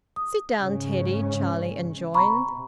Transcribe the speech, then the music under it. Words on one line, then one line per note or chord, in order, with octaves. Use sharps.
"Sit down, Teddy," Charlie enjoined.
D#6
G#2 C#3 C#4
C3 A#5 B5 C#6